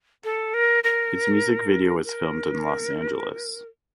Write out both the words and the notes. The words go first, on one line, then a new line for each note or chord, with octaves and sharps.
Its music video was filmed in Los Angeles.
A4
A#4
A#4
A#4